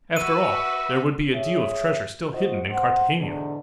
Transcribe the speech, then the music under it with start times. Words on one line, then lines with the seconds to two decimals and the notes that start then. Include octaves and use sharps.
After all, there would be a deal of treasure still hidden in Cartagena.
0.17 F#4 B4 E5 D#7
1.33 G#4 C#5 E5
2.32 D#4 F4 F#4 C5 D#5
2.69 C5 F#5
3.17 E2 G#2 B2 D3